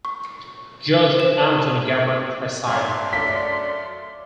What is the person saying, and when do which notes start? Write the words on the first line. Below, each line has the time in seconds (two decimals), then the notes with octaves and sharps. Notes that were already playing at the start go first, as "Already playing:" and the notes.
Judge Anthony Gabbert presided.
0.05 C#6
1.18 C5 E7
2.67 G2 C#5 E5 A#5 C6
3.13 F#2 A3 D4 D5 E5 F5 B6